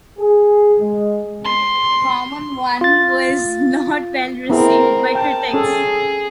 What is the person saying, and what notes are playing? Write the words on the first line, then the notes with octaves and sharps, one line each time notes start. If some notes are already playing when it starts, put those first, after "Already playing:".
"Common One" was not well received by critics.
G#4
G#3
C6
F4 A6
B3 C4 E4 G#4 A#4
G5 A5
C#4 G#4 A4